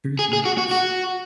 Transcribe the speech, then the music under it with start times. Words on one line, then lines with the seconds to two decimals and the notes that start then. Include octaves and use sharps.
Truth matters.
0.19 G#4
0.33 G#4
0.45 F#4
0.58 F#4
0.71 F#4